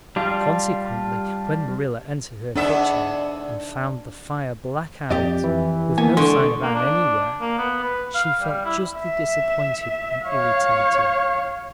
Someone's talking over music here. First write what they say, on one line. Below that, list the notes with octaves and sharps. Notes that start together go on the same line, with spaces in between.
Consequently, when Marilla entered her kitchen and found the fire black out, with no sign of Anne anywhere, she felt justly disappointed and irritated.
G3 D4 F4
G#2 B3 D4 E5
F2 G4 D5 D#5
E3
A#3 B3 G#5
D3 G#3 C6 C#6
A#3
D4
A#3
B3
B4
F5
G3
E4
E5
C#5 F5